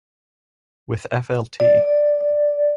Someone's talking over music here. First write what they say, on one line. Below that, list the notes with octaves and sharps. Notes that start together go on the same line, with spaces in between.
With Flt.
D5